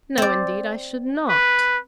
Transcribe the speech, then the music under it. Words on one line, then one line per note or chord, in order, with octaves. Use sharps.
"No, indeed I should not."
C4 D5
B4